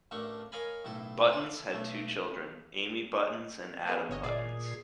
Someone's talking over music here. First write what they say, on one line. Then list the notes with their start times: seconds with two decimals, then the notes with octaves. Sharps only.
Buttons had two children, Amy Buttons and Adam Buttons.
0.11 A1 A3 A#3 D4 C#6
0.52 A#4 C#5 D#5 F5 G#5 B5
0.84 B1 A2 E4 A4
1.30 E4 A4
1.71 B1 A3
3.86 A#3 B3 G#4
4.09 G1 C#5 D#5
4.24 A#2 G#4 D5